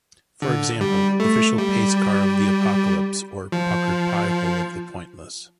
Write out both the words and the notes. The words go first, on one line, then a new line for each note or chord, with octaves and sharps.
For example, "Official pace car of the apocalypse" or "puckered piehole of the pointless".
D3
G3
A3
G3
F3